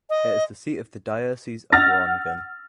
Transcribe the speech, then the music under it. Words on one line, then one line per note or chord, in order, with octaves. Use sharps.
It is the seat of the Diocese of Borongan.
D#5
F#5 E6 F6 A6 A#6